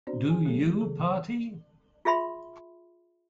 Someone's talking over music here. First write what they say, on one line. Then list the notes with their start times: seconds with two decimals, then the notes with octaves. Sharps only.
Do You Party?
0.07 B3 C4 D4 F#4 C5 D5
0.30 G#4 G#5
0.45 D#3 F#3 A3 B3 G4 A4
0.81 C#3 E3 G#4 A4
2.05 F4 G#4 E5 B5 C6